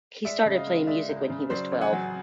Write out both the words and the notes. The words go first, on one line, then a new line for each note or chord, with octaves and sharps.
He started playing music when he was twelve.
G#3 D5 E5
C#3
D#5 F5
G#3
G#3 D5 E5
C#2
C#3
F#3 C5 D5
A1
F#5 G#5
F#3